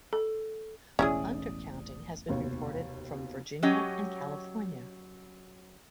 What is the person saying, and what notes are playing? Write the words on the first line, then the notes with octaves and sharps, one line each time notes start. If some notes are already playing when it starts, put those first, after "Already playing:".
Undercounting has been reported from Virginia and California.
A4
E1 A1 C#4 E4 G#4 D5 D#6
F1 D#2 B2
F#3 C#4 G4 D#5